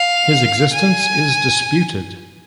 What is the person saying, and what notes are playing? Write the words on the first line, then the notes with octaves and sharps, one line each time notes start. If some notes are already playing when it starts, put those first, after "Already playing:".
His existence is disputed.
Already playing: F5
G#5